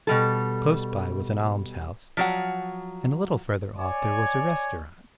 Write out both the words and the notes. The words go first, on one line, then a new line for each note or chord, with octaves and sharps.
Close by was an almshouse, and a little further off there was a restaurant.
B2 G3 A4
F3 F#3 F#5
C#5 D5 G#5